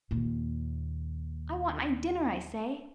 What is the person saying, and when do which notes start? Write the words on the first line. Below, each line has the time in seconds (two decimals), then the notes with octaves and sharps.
"I want my dinner, I say."
0.11 D#2 A#2